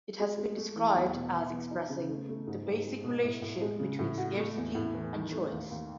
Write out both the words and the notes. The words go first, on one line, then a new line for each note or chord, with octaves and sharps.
It has been described as expressing "the basic relationship between scarcity and choice".
G#3
G#3
A3
E3
E2
B2
E3
B3
D#4
C#3
A3
A3
G#2
G#2
G#3
B2
A2
A2
G#3
C#3
A2
F#4
A3
E2
A2
E3
D#3
A3
D#2
D#2